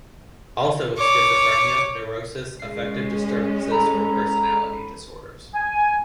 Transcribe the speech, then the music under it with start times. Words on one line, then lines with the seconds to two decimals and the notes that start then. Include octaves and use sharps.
Also with schizophrenia, neurosis, affective disturbances or personality disorders.
0.97 C#5 D6
2.59 G#3 C#4 C7
3.71 A4 A#5 B5
5.54 G#5